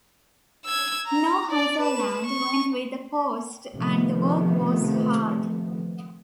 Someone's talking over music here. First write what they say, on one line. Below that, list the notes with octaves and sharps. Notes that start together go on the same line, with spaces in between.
No house or land went with the post and the work was hard.
E6 G#6
A#5
D5
B4 E7
C#6
C3 D#3 F3 A3 B3